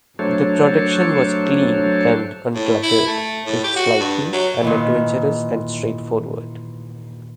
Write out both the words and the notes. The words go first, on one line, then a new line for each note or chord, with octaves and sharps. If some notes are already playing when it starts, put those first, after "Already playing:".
The production was clean and uncluttered, if slightly, unadventurous and straight forward.
F#3 A3 D4 A4 C5 C#5
A2
E4
A3
A2
G4
F#4
G2
F#3
A#2 D#3 E3